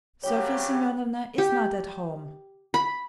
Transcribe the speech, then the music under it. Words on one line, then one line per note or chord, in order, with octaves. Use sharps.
Sofya Semyonovna is not at home.
A#1 C#3 F#3 G4 C#5 G5
G4
B5